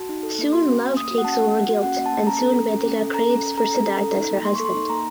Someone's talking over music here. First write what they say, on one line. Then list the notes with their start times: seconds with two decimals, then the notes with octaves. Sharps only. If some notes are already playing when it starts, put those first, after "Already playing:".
Soon love takes over guilt and soon Vedhika craves for Siddharth as her husband.
Already playing: F#4 A5
0.09 D#4
0.23 A4
0.39 A#3
0.53 F#4 C6
0.68 C#4
0.82 A#3
0.97 A#3 D#6
1.11 F#4
1.18 F#5
1.25 C#4 A5
1.32 F#5
1.40 A#3
1.55 A#3
1.70 F#4
1.83 C#4 F#5
1.98 A#3
2.06 A5
2.12 A#3
2.27 C#4 A#5
2.42 A4
2.56 A4
2.70 C#4
2.85 C#4
3.00 A4
3.14 A4 A#5
3.30 C#4
3.43 C#4
3.58 A4 A#5
3.73 A4
3.87 C#4
4.02 A4
4.17 D#4
4.31 A#3
4.45 A#3 C6
4.55 A4 C#6
4.65 C6
4.74 D#4
4.90 A#3 A#5